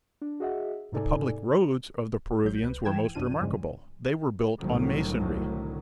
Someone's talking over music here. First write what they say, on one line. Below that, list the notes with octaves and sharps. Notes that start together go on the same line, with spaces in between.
The public roads of the Peruvians were most remarkable; they were built on masonry.
D4
F#4 G#4 D#5 E5 F#5
G#2 C3 D#4 A4 D5 G#5
A1 F#3 G6
C#2 B4
G#2 E3 G5 G#6 E7
B1 F#2 B2 D4 F4 D#7
E2 G2 C#3 F3 G3 G#3
C2 A2 D3 D#3 F#3